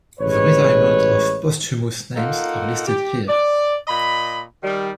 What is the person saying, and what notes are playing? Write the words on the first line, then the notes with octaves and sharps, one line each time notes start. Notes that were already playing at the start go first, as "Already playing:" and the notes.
The retirement or posthumous names are listed here.
A1 G#3 B4 C#5
A#3 D#4 F4 A4 F#5
G4
D5
A#2 D#5 B5
D#3 G3